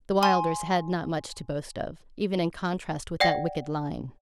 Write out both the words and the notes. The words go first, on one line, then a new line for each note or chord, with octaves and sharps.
The Wylders had not much to boast of, even in contrast with that wicked line.
G#5 C6
D5 F#5 G5 A#6